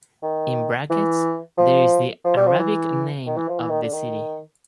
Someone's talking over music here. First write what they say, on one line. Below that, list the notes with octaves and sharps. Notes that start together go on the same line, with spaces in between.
In brackets there is the Arabic name of the city.
D#3
E3
F3
F3
G3
F3
E3
D#3
E3
F3
E3
D#3
D3
D#3